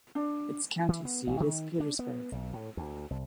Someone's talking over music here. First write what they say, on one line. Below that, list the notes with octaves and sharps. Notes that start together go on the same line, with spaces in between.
Its county seat is Petersburg.
D4
E3
B3
A1
D#3
D4
B3
B1
A2
D2
C2